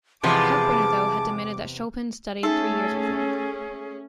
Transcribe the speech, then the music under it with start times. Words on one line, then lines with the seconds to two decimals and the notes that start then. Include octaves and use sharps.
Kalkbrenner, though, had demanded that Chopin study three years with him.
0.23 E2 C3 E3 F3 G#3 B3 A5 D6
2.43 A3 C#4 D#4 G#4 A4 E5